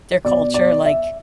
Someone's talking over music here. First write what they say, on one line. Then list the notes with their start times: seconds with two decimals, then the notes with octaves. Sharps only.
their culture, like
0.25 B2 D5
0.54 D5
0.85 E5